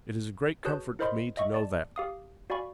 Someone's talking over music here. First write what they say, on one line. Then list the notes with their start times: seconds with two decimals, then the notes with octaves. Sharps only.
It is a great comfort to me to know that.
0.65 F#4 G#4 B4 C#5 A5 G6
0.99 E4 A#4 C5 D#5 B5 C6
1.37 D#5 E5 C#6
1.54 D5 A5
1.96 G4 F5 D#6
2.50 F#4 D5 F5 G#5 B5 C#6